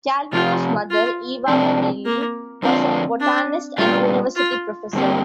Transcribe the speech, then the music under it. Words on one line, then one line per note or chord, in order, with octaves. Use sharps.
Calvino's mother, Eva Mameli, was a botanist and university professor.
C3 F3 C4 F4 G4
F4
C3 F3 C4 D4
A#3
F2 D3 F3 C4 D4 F4
D4
A#2 G3 D4 F4 G4
F4
G2 D3 A#3 C4 G4